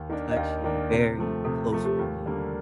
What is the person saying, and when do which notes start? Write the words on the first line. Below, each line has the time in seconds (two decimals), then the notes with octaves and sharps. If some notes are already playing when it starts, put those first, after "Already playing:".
touchy, very close with me,
Already playing: D#2
0.10 D#3 A#3 D4
0.31 D#5
0.36 D#2 F5
0.64 D#3 A#3 D4
0.91 C3
1.18 F3 A3
1.45 C3 A4
1.72 F3 A3 F4
1.85 G4
1.99 D#2 F4
2.26 D3 G3 A#3